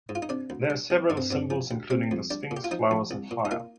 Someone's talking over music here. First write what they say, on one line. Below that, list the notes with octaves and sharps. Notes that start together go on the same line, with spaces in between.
There are several symbols, including the Sphinx, flowers, and fire.
G#2
F4
D#4
C3 D4
D2
G3
C2
G2 D4
C4
G2 C4
F3
D2
G#3 C4
F2
G3 D4
A#2
G4
F4
F3 D#4
A#1
C2
A#2
D#4
A#3 F4